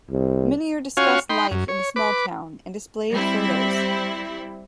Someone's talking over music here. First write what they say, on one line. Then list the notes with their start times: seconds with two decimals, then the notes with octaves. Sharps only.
Minnier discussed life in the small town and displayed photos.
0.11 C2
0.97 C#4 F4 F#4 C#5 F5 G#5
1.30 D#4 G5 B5 C6
1.51 F#2
1.68 C#5
1.96 B4 D6
3.12 G3 C4 E4